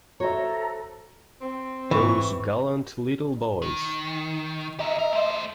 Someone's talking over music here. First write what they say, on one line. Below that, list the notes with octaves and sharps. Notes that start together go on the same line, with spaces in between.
Those gallant little boys!
F#4 A4 C5 C#5 E5 A#5
C4
G#2 E3 C#6
D#3
G4 A#4 D#5 E5
A#4
A3 C5